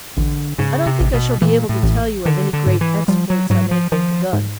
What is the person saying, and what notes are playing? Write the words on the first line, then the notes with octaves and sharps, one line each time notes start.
I don't think I shall be able to tell you of any great exploits I make with the gun.
A1 D3
G#2 C#3
C3
A1
B2
A#2 E3
A2
A1
D3 D#3
D3
G#2
E3
F3 G3
F#3
G#2 F#3
F3
D#3 F3
G#2